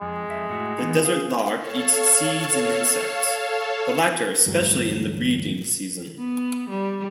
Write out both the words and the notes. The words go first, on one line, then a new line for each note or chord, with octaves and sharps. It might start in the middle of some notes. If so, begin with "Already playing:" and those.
The desert lark eats seeds and insects, the latter especially in the breeding season.
F2 G#3
F2 E5
A2 E4 F#4
E3 B3 D#4
G#4 F5
A4 C#5 F5 A5
A1 D2 G2 F#3
B3
G3